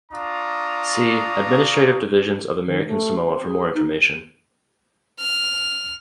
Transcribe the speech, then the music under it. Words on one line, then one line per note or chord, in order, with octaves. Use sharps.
See Administrative divisions of American Samoa for more information.
D4 F4 A#5 C#6 D#6
D#3
A3
C4
G#4
D#4
F6